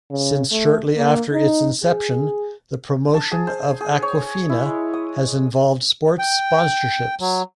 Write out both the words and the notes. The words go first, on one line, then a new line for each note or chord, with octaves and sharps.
Since shortly after its inception, the promotion of Aquafina has involved sports sponsorships.
C#3
A3
A#3
D#4
G#4
A5
G#4
C5
G#4
C#5
E4
G#3
D#6
G5
F#3